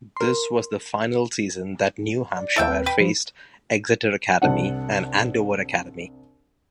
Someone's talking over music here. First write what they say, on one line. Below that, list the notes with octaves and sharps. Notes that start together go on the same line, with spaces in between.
This was the final season that New Hampshire faced Exeter Academy and Andover Academy.
A#4 C6
D5
D#2 E4 A4 E5 G5
D#2 C4 B4
B4 G5 B5
F3
C2 D4 F#5